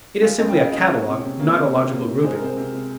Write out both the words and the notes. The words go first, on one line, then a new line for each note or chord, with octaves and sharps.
It is simply a catalogue, not a logical grouping.
G#3 F5
C#3 D#5
G5
C#3 F5
G#3 D#5
A#3 C#5
C3
C3
A#3
A#3
C3
A#3
C3
G#3 C5
A#4
C3 C5
C3
C3